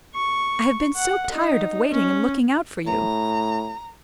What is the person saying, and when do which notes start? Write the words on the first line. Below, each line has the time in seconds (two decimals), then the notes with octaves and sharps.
I have been so tired of waiting and looking out for you.
0.14 C#6
0.96 F#5
1.32 D#4
1.90 C#4
2.86 A2 A#5